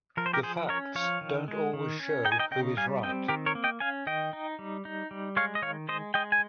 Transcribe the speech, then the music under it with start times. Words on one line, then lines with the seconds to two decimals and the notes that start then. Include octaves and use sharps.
The facts don't always show who is right.
0.17 F3 A#4
0.26 C5
0.33 G4 A#4
0.43 F3 G#4 C5
0.69 C#4 A#4 C#5
0.95 F3 C#5 F5
1.21 D#3
1.48 G#3
1.73 D#3
2.00 C#4
2.25 D#4 G5
2.32 G#5
2.39 D#5 G5
2.51 C#3 D#5 G5
2.77 G3 F5 G#5
3.03 C4 D#5 G5
3.28 D#3 G4 A#4
3.46 A#4 C#5
3.55 A#3
3.64 D#5 G5
3.80 C#4 F5 G#5
4.07 D#3 D#5 G5
4.33 D#4
4.59 G3
4.85 D#4
5.11 G3
5.36 G#3 C#5 F5
5.55 D#5
5.62 D#3 C#5 F5
5.88 G#3 C5 D#5
6.14 G#3 D#5 G5
6.32 G#5